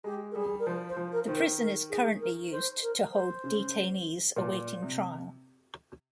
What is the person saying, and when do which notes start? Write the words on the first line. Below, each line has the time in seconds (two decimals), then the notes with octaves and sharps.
The prison is currently used to hold detainees awaiting trial.
0.04 G#3 G4
0.32 A#4
0.35 G3 G#4
0.59 A#4
0.66 F3 C5
0.89 C5
0.97 F3
1.12 A#4
1.28 D#3 C5
1.36 A#4
1.59 A#4
1.89 G#4
2.21 A#4
2.52 C5
2.82 A#4
3.12 C5
3.44 C#3
4.36 A#2
4.82 C3